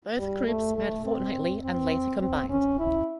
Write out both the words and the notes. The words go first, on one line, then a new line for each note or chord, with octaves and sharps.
Both groups met fortnightly and later combined.
G3
A3
A3
C4
C4
C4
C#4
E4